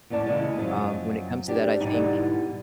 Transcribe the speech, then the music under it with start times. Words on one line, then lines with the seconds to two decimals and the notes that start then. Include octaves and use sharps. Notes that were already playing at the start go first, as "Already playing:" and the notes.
um, when it comes to that, I think
0.10 E2 A2 C#4 D5 A5
0.26 C#3 E3 G#3
0.57 F#2 F3 F#3 D#5
1.48 D4 G4
1.80 G#2 B2 D3 E3 G3 D#4